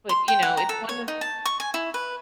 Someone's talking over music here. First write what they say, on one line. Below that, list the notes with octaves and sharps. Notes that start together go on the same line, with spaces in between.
But, you know, it's one of
C6
G5
F#5
A#5
A4
C#5
D#4
A5
C#6
G#5
E4
B4